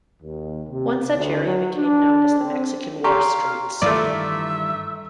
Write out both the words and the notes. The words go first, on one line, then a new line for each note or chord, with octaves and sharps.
One such area became known as The Mexican War Streets.
D#2
C3
D2
F#3
D4
C4
G4 F5 A#5 C6 C#6
G2 D#3 E3 A3 F4 D5 E5